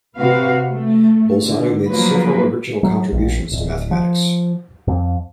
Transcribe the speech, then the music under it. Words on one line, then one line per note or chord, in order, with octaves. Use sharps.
Bolzano made several original contributions to mathematics.
C3 F#4 B4 F5
A3
D3
F3 F#3 A#3 B4
F#3
A#1
D1
F3
F2